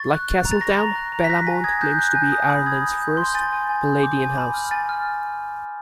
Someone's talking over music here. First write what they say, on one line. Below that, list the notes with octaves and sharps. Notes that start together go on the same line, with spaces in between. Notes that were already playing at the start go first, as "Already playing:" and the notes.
Like Castletown, Bellamont claims to be Ireland's first Palladian house.
Already playing: C#6 A6
F#6
F#6
A#5
A6
C#6 A#6
A#5
F#6
A#5
B6
F#6 A#6
G#5 A#6
D#6 G#6
F#6 G6
F#6
G#5
D#6
B5
D#6 G#6
D#6
G6
C6
G#5 A6
G#5
G#5
G6
D6
G#5
B5
F6
G#5 A6
F6